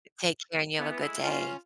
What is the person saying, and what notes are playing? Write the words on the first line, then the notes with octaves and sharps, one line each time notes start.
Take care, and you have a good day.
E3 B3
G#3 A3 E4
C#4 F4